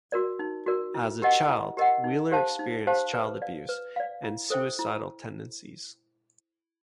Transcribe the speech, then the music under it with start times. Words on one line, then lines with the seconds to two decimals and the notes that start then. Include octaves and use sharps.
As a child, Wheeler experienced child abuse and suicidal tendencies.
0.12 F#4 A#4 D5
0.39 D#4
0.66 F#4 A#4 D5
0.94 E4
1.22 G4 A#4 D#5 F#5
1.49 E4
1.77 G4 A#4 D#5 F#5
2.04 D#4
2.32 G4 C5 F5 A5
2.59 D#4
2.87 G4 C5 F5 A5
3.13 B4
3.42 D5 F5
3.69 B4
3.96 D5 F5
4.24 E4
4.50 A4 C5 E5 G5
4.79 E4